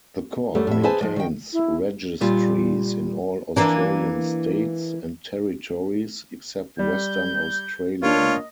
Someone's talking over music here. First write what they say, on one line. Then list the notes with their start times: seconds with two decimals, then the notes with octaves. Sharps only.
The Court maintains registries in all Australian states and territories except Western Australia.
0.55 F#2 G3 A3
0.67 A2 E5
0.83 G#4 B4 C5 E5 G#5 A5
1.01 F3 G#3
1.16 D#3 G5
1.53 E4
2.21 A#2 G3 F4
3.56 E3 A#3 D4
6.79 G3 G6
8.03 A#3 D4 F4 C#5 D#5